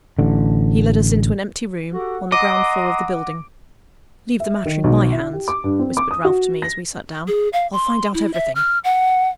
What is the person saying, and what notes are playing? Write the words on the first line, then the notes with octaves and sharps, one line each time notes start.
He led us into an empty room, on the ground-floor of the building. "Leave the matter in my hands," whispered Ralph to me, as we sat down. "I'll find out everything."
A1 D3
F#4 G4 A4 F#5
D#5 F#5 A#5 C6 D6 D#6
E5
D#3
B1
E4
G4
D6
G2
C4
D6
D#6
F#4
A#6
G#4
F5
C6
E4
E5
F6
F#5